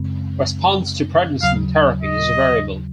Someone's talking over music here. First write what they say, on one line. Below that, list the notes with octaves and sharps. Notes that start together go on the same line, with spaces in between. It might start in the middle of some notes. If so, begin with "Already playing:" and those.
Response to prednisone therapy is variable.
Already playing: F#2 C#3 G#3 C4
D#2 C#3 F#3 F5
D#5